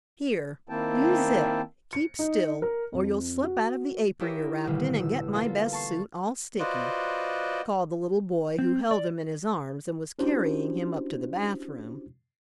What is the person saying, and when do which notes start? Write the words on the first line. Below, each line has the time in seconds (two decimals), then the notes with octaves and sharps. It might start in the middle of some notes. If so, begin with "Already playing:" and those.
"Here, you Zip, keep still, or you'll slip out of the apron you're wrapped in and get my best suit all sticky," called the little boy who held him in his arms and was carrying him up to the bathroom.
0.69 D#3 A#3 C4 E4 G5 A5
1.93 C#7
2.19 D#4
2.62 A#4
2.93 F2
3.44 F#4
4.20 E4 G4 G#4 A#4 C#5 E5
4.67 A1 B2 D3 D#3 G3
5.00 E6
5.33 A#3 B3 F4 A4
5.73 A5 C#6 C7
6.60 F4 F#4 B4 C5 D5 D#5
8.59 C4
8.91 D5
10.19 C#4 D4 E4 F#4 G4 C5